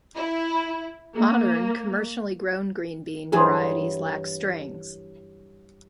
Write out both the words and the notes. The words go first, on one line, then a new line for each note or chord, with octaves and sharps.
Modern, commercially grown green bean varieties lack strings.
E4
A#3
G2 E3 F#3 G#4 C5